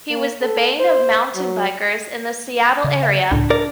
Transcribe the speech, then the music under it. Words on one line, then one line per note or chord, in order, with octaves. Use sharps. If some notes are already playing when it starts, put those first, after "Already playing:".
He was the bane of mountain bikers in the Seattle area.
A#3
A4
C5
F#3
C#3
E5
C#2 A2 C#3 D4
A#4 D5